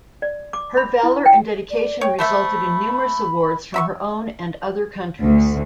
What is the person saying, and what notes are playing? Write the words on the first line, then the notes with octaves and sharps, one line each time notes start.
Her valor and dedication resulted in numerous awards from her own and other countries.
D5
D6
B5
E4
G5
D5
C#5 G5
A3 C5 E5 B5
E5 F#5 B5 C#6
D2